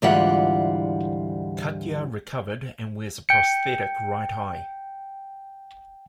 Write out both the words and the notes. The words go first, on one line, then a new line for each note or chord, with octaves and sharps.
Katya recovered and wears a prosthetic right eye.
D2 G#2 E3 G3 F4 F#5
G5 C#7